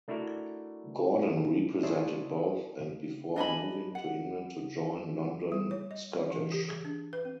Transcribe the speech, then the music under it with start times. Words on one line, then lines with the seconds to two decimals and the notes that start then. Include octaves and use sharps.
Gordon represented both and before moving to England to join London Scottish.
0.08 A3 D4 E4 F#4 A#4
1.83 D4 E4 G#4 C5 C#5 E5
3.36 D4 D#5 G#5 B5
3.95 F#5
5.52 G3
5.71 C#5
5.91 D#5
6.31 E3
6.52 G4
6.69 G#4
6.85 D4
7.13 B4
7.25 C4